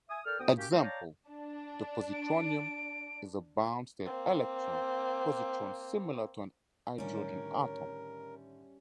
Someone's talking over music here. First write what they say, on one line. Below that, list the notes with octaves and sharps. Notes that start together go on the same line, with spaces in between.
Example: the "positronium" is a bound state electron-positron similar to an hydrogen atom.
E5 G#5 D#6
A4 A#4 D5 G5 F6
D2 B3 G5 D#6
A#3 C#4 F#4 G4
B2 D#3 G#3 C4
C#5 D5 F5 G5 A5 A#5
D4
D7
A#3 C4
A2 D3 D#3 G3 C#4 A#4 C#5